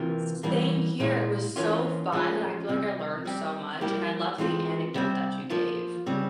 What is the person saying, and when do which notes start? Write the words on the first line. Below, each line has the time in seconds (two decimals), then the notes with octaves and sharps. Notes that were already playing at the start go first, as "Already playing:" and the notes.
S same here, it was so fun, and I feel like I learned so much, and I love the anecdote that you gave.
Already playing: C3 E3 A#3 F4
0.43 E3 G3 A#3
1.00 A#2 G#3 E4
1.56 E3 A#3 C#4 F4
2.12 F3 G#3 C#4 F4
2.69 C3 G3 C4
3.25 G3 C4 G4
3.81 G3 A#3 E4 G4
4.38 E3 G#3 C4 F4
4.95 C3 G3 C4
5.50 F3 A#3 F4
6.06 C#3 G3 C4